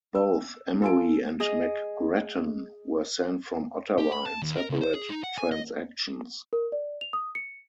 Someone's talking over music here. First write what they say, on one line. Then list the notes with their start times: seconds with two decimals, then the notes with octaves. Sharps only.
Both Emery and McGrattan were sent from Ottawa in separate transactions.
0.15 E6
0.82 F4 A4 G#5 D7
1.40 G#4 D#5
3.98 G4
4.12 B5
4.26 A5
4.42 D#2
4.56 A#4
4.70 C#2
4.81 C5
4.94 G#4
5.10 D#4
5.24 F#5
5.38 G#5
5.52 D#5
6.53 A#4
6.72 D5
7.01 F7
7.13 D#6
7.35 C#7